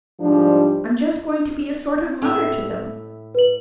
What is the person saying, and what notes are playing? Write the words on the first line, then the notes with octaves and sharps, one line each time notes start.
I'm just going to be a sort of mother to them.
G#2 F3 G3 D4
A2 E5
B4 F#7